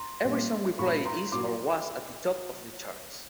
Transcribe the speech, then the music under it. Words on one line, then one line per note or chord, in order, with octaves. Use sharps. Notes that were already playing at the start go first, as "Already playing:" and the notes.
Every song we play is or was at the top of the charts.
Already playing: A#5 C6
A#1 A#2 G3 A#3 C#4
A#1 A#2 G3 A#3 C#4 B5 C#6
A#5 C6
A#2 F#3 A#3 C6 D6